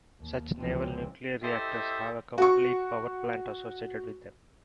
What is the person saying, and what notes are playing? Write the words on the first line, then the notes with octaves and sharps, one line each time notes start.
Such Naval nuclear reactors have a complete power plant associated with them.
D#2
C#2 C3 E3 F3 G3 C4
E4 G4 A4 C5 D#5 E5
F#4 C#6